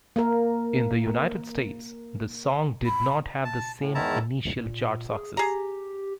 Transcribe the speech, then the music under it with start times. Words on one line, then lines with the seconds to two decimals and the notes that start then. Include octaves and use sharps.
In the United States, the song did not have the same initial chart success.
0.16 A#3 A#4
2.86 B5
3.45 A5
3.81 A2
3.95 E2 G#2 D#3 E4 A5 A#5
4.57 A#2
5.09 G#4
5.37 G4 G#4 A#5